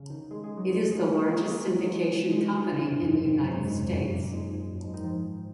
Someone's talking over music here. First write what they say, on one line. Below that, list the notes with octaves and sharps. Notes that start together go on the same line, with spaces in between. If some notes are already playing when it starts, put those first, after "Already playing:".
It is the largest syndication company in the United States.
Already playing: C#3
D#3
G#3
G#3
F#3
G#3
G#3
A#3
G#3
A#3
G#3
A#3
G#3
F#3
G#3
G#3
D#3
C#3
C3
G#2
F#2
G#2
C3
F#2
G#2
G#2
F#2
F2
F#2
A#2
G#2
G#2
F#2
G#2
D#3
F3